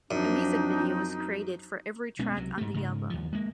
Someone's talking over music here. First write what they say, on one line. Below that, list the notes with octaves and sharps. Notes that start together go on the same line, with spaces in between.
A music video was created for every track on the album.
F#2 F3 C4 D4 D#4
B1 G#3 B3 C#4
C2 C3 F#3
G#2 A3
G#2 C#3
D#2 F3
G#3 A#3